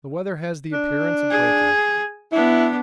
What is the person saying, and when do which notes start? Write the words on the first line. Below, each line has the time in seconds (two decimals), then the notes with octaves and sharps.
The weather has the appearance of breaking.
0.73 D4
1.30 G#4
2.32 B3 D4 E4